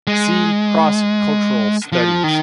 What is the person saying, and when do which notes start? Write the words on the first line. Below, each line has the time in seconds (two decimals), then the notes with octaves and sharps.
See Cross-cultural studies.
0.07 G#3
1.92 F3
2.24 D#3